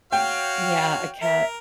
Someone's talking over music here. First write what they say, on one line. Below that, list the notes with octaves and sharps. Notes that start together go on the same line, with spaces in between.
Yeah, a cat.
F#4 C#5 F5 G5
A#4 E5